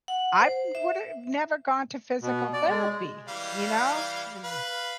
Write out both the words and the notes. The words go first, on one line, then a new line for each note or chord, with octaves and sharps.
I would have never gone to physical therapy, you know? And,
F#5
C5
E5
B2
D5
G#3
E3 G3 F5
B4 F5